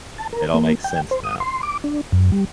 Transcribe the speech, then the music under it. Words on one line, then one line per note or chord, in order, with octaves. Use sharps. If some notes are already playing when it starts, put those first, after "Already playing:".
It all makes sense now.
A5
A#4
A#3
G5
C5
D#6
C6
D6
D4
F#2
G3